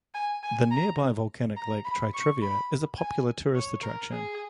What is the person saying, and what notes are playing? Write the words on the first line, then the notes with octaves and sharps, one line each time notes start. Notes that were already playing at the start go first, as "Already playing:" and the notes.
The nearby volcanic lake Tritriva is a popular tourist attraction.
G#5
G#5
A#5
A#5
B5
C#6
B5
G#5
C#5
A#4
G#4